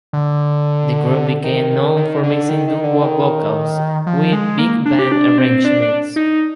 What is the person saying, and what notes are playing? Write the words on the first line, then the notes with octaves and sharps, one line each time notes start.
The group became known for mixing doo-wop vocals with big band arrangements.
D3
D#3
D#3
D#3
D3
D#3
D#3
D3
D#3
F3
G#3
A#3
D4
G4
D4
C4
D4
D4
D#4